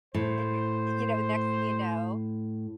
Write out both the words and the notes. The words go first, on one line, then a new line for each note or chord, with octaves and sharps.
And you you know, next thing you know
A2 C5